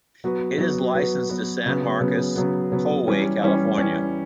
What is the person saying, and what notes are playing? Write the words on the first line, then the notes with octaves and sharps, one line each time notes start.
It is licensed to San Marcos-Poway, California.
F#3 B3 F#4 B4
F#3 B3 F#4 B4
F#3 B3 F#4 B4
F#3 B3 F#4 B4
C#3 F#3 B3
C#3 F#3 B3
C#3 F#3 B3
C#3 F#3 B3
E3 G3 C#4
E3 G3 C#4
E3 G3 C#4